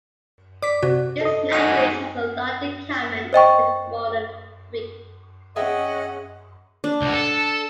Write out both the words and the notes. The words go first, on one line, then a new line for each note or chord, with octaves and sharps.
This language has a lot in common with modern Greek.
D5 D6 B6
C3 F#4
A4 D#5
D#4 F#4 G#4 A#6
C5 D#5 G5 C#6
C#4 G#4 D#5 E5 F#5 G5
D4
C#2 B2
A4